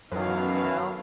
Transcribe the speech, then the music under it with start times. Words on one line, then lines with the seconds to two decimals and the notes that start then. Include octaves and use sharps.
You know?
0.12 F#2 B2 D#3 E3 F#3 B3 A4 F5